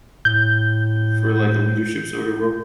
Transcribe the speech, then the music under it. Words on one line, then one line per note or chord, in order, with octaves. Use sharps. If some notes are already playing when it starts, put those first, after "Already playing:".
for, like, the leadership sort of role?
A2 G6